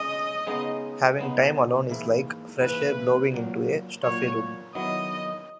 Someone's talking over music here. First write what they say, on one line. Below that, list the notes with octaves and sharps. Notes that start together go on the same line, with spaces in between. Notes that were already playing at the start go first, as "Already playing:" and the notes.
Having time alone is like fresh air blowing into a stuffy room.
Already playing: C#3 G#3 C#4 D#5
C#3 G#3 B3 D#4
C#3 G#3 B3 D#4
G#2 E3 A#3 E4
G#2 E3 A#3 E4 B4
A#2 F#3 A#3
A#2 F#3 A#3 C#5
D#3 F#3 B3 E4 D#5